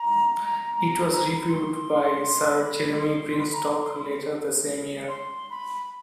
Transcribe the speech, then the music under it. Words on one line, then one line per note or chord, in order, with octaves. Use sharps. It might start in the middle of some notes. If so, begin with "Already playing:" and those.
It was reviewed by Sir Jeremy Greenstock later the same year.
Already playing: A#5
A#5
A#5
B5
A#5
B5
C6
B5
C6
B5
A#5
C6
B5
C6
B5